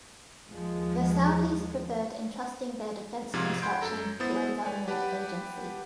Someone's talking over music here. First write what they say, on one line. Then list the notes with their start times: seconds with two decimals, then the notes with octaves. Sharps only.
The Saudis preferred entrusting their defence construction to a government agency.
0.50 D#2 F3 G#3
3.33 G#1 G#2 C3 F3 F4 G#6
3.62 F#5 G5 B5 C6 G6 D7
3.81 F#2 A4 A#5
4.20 B3 E4 C5 D#6 A6
4.63 B4 C#5 D5 G5 G#5
4.88 G4 B4 F#5 G5 A5 B5